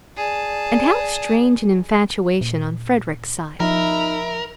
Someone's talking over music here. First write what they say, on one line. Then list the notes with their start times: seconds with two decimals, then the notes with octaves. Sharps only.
And how strange an infatuation on Frederick's side!
0.16 G#4 D5 A5
2.41 A#2
3.60 F3 D#4 A#4 E5 B5